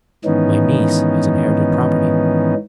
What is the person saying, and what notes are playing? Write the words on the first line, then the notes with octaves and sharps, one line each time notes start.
"My niece has inherited property."
G#2 D#3 E3 B3 C#4 D#4